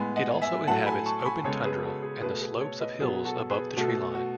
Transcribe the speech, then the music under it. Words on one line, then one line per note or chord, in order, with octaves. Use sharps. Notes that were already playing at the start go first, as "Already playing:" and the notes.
It also inhabits open tundra and the slopes of hills above the tree line.
Already playing: A2 G#3 B3 G#5 B5
D#5 F#5
E5 G#5
A2 F#3 A3 F#5 A5
G#5 B5
A5 C#6
C#6
G#5 B5
C#3 G#3 B3 A4 C#5
G#4 B4
F#4 A4
G#4
B2 A3 G#4 B4
G#4 B4
A4 C#5
B4 D#5
B2 F#3 B3 G#4
F#4 A4
G#4 B4
B2 A3 F#4 A4
F#4